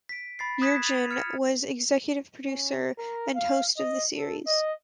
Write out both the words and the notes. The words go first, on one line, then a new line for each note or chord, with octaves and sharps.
Yergin was executive producer and host of the series.
B6 D7
B5 A6 C7
D#6 F#6 G#6 B6 E7
A6 D#7 F7
F6 G#6 C#7
C#4
A#4
F5
D#5
A4
D#5